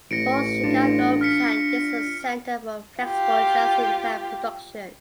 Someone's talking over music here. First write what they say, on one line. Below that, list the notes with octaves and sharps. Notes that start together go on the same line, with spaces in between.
Ford's Chicago plant is a center for flexible just-in-time production.
A1 A#6 C#7 D7
D4 F4
F6 B6 C#7
F4 G4